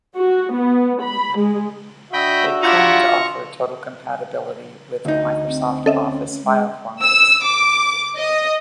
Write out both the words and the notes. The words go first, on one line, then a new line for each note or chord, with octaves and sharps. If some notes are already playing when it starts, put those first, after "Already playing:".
It claimed to offer total compatibility with Microsoft Office file formats.
F#4
B3
B5
G#3
D4 F#4 D#5 E5 G5 B5
G3 E4 F4 F#5 A#5 C#6
D2 D#4
C4
C#4 A4 D#5 E5
G#3
E6
D6
D#5